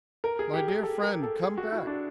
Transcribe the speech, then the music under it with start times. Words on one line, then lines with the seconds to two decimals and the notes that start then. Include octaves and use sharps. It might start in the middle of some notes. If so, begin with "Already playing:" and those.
My dear friend, come back!
0.24 A#4
0.39 G#4
0.54 G4
0.68 G#4
0.83 A4
1.03 A#4
1.23 A4
1.43 G#4
1.58 F#4
1.72 E4
1.87 D4